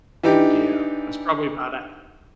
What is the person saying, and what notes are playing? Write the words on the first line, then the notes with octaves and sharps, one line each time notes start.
Yeah. That's probably about ac
E3 D4 D#4 G4